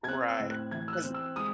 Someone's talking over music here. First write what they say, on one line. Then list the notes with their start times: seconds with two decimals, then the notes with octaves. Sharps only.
Right. 'Cause
0.04 G#6
0.08 C4 F#6
0.28 E6
0.40 A2
0.51 F#6
0.71 E3 G#6
0.88 E6
0.93 F#6
1.04 C4
1.14 E6
1.36 G#3 D#6